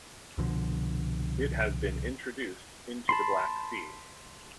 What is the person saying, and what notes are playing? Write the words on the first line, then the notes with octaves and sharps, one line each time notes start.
It has been introduced into the Black Sea.
C2 B2 D3 F3
A5 B5 C6